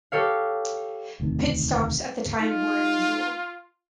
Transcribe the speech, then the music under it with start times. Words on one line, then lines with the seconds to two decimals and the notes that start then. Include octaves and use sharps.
Pit stops at the time were unusual.
0.12 G4 A4 C#5 F5
1.20 E1 D2 C3 D#3
2.40 D#4 F4